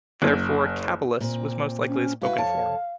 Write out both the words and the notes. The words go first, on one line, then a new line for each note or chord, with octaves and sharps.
Therefore "caballus" was most likely the spoken form.
F#1
A#2 C4
C#4
E4 F#4 B4 F5
F2 C#5 A5